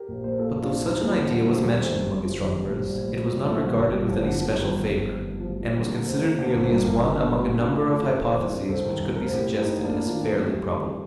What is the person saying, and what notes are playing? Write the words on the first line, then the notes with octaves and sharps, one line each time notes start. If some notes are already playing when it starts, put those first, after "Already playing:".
But though such an idea was mentioned among astronomers, it was not regarded with any special favour, and was considered merely as one among a number of hypotheses which could be suggested as fairly probable.
Already playing: G4 A#4
A#1
A#2 C5
A#4
A#2 F4 A4
A#1
D4 F4
A#1
D#2 C4 D#4
D#2
F3
D3
D3 G3
D#2 F3 A3
D#2 G3 A#3
D#3 A3 C4
G1
G3
G2
G1 F3
G3
D#3 F3
G3
G1
A3
A#1 G3
A#1
A2
G3
A2 F3
A#1 G3
A#1 F3 A3
D3 G3
G1
G2
G1 F3
D3
F3
G1
D#3 G3
F3
G1 G3
F2
G1
D#3
G1
F3
D2 G3
D2 F3
D3 G3
D3 A#3
D2 C4
D2 A#3
C4
D3
A#3
G1 C4
G2 G3 A#3
G1
D3
G1
A3
A1 G3
A1
D4 F4
A2
A2 D4 F4
A1 F4 A4
A1 G4 A#4
D#3 A4 C5
C2
A#4 D5
C3
C2 A4 C5
D#3
C2
A1 A#4
C5
A1 G4 A#4
A2
A2 C4 D#4
A1
A#3 D4
A1
D#3 D4 F4
D2 C4 D#4
A#3
C3 F3 A3
D2 G3
D#3